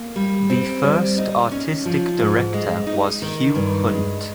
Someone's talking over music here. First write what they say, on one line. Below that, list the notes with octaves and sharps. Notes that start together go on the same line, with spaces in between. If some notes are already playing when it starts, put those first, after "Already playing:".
The first artistic director was Hugh Hunt.
Already playing: A#3
G3
C4
G3
D#4
C#4
F3
G#2
G#3
D#4
D#3
G2
G#3